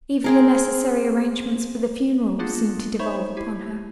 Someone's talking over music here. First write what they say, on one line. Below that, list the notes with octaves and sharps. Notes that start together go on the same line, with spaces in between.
Even the necessary arrangements for the funeral seemed to devolve upon her.
C4 G#4 A#4
A#3 B3 D4 F4 G#4
D#4 C5 C#5 E5 B5 C#6
E4 G4